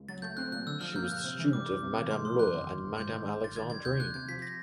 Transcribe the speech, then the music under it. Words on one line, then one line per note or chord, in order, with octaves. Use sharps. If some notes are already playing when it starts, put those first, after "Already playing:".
She was the student of Madame Laure and Madame Alexandrine.
Already playing: C#2
F#3 A6
A3 G6
C4 F#6
A#2 F#6
D3 E6
F3 F6
A#3 G6
G2 F#6
C3
E3
G3 D6
C#2
C3
E3
A3 C6
F2 C6
F#2 F#6
D#3
G1
G1
G#2 G6
D#3
G#1
G#1 A6
D#3 G#6
G3 G#6
D#2 G6
D#2 F#6
C3 G#6
F3 B6
A#6